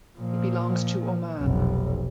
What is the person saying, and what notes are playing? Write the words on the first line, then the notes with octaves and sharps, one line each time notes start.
It belongs to Oman.
A#2 F3
F1 B1